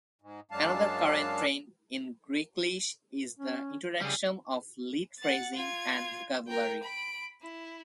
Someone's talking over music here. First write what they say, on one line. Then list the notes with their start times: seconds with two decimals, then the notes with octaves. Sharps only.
Another current trend in Greeklish is the introduction of Leet phrasing and vocabulary.
0.22 G#2
0.51 F#2 F#3 G#3 D4 F5 A5
3.39 C#4
4.01 C#3 G3 G#4
5.18 F#5 A6
5.55 F4 G#6
6.47 A#4 G5
6.83 B5 D7
7.42 E4